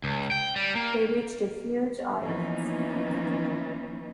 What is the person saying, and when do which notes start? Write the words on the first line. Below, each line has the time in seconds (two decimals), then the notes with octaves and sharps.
They reached a huge audience.
0.04 C#2
0.31 G5
0.56 G3
0.75 A#3
2.20 E3 F3 A#3 B3 C#4 D#4